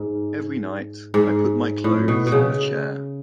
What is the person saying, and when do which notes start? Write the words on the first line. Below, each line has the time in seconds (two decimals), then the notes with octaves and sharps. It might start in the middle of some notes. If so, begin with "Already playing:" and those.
Every night, I put my clothes on the chair.
Already playing: G#2
1.14 G#2
1.84 A2
2.08 B2
2.27 B2
2.32 C#3